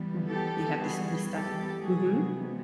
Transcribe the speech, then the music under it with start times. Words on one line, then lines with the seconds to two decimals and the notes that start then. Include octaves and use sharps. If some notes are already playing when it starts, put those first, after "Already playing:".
Mhm. You'd have to to study. Mhm.
Already playing: E3 G3 B3
0.28 G4 A4
0.80 F#4 G#4
1.31 G4 A4
1.83 C3 E3 G#3 B3 F#4 G#4